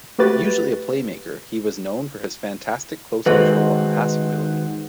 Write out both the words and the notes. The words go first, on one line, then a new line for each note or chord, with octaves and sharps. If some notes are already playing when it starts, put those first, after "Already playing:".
Usually a playmaker, he was known for his fantastic close control and passing ability.
A3 F#4 G4 B4 A6
D#3 G#3 F#4 A4 B4 C5